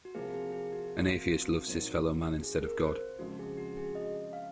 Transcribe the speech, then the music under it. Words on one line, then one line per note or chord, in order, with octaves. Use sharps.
An atheist loves his fellow man instead of god.
F#4
C3 F3 A#3 G#4
G#4
G#4
F#4
F#4
A#2 F#3 C4 D#4
G#4
A#4
C5
F2 C#3 F3 G#3 F#4
G#4
F#4
G#4
D#5
F5